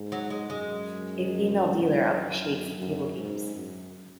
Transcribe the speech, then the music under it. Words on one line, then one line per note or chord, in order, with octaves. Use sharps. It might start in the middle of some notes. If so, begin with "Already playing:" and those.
A female dealer officiates the table games.
Already playing: G#2
F#3
G#3
F#2 G#3
F#2
G#2
F#2